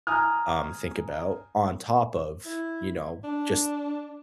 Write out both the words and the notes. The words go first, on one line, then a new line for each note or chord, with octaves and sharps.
um, think about on top of, you know, just
G#5 A#5 D#6 F6
E4
D4